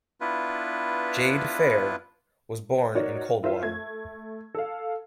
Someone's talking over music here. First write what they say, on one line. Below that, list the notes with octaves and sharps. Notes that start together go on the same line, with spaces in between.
Jad Fair was born in Coldwater.
B3 D4 E4 F4 B4
D#4 F#4 A#4 C#5 D5
E4 F4 A#4 C5 E5
A3 G#6
A4 F5